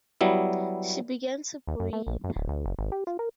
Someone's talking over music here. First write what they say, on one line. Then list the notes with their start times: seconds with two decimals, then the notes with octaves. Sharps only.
She began to breathe.
0.21 F#3 G3 B3 E4
1.67 D#2
1.80 F#2
1.93 A3
2.07 A#1
2.24 F#2
2.36 D1
2.48 D2
2.66 F#1
2.79 G#1
2.92 G4
3.07 F4
3.19 A#4